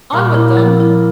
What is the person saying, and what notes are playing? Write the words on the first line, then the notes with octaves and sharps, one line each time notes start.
On with them!
A#2 G3 A#3
E4
F3
E4